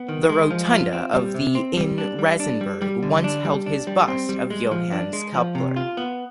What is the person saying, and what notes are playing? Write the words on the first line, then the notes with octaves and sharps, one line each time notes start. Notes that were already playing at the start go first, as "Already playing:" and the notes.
The rotunda of the in Regensburg once held his bust of Johannes Kepler.
Already playing: B3
D#3
G#3
F3
F4
C4
G3
C3
C4
G3
D4
G3
D4
G3
G3
D3
D4
G3
D4
G3
C4
G3
G#3
F3
D4
G#3
F3
C3
F4
B3